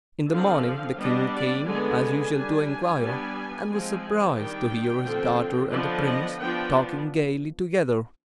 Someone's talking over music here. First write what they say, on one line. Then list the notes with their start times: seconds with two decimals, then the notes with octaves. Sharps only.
In the morning the king came as usual to inquire, and was surprised to hear his daughter and the prince talking gaily together.
0.30 D3 F3 C4 F5
0.97 G3 B3 D4 D#5
1.31 D5
1.65 D3 G#3 B3 G#5
2.33 G3 D4
3.00 G3 B3 D4
3.68 F3 G#3 C4
4.36 D#3 G3 D4 G5
5.04 D3 F3 C4
5.71 D3 F3 B3 D4 D#5
6.05 D#5
6.39 F3 B3 D4 G5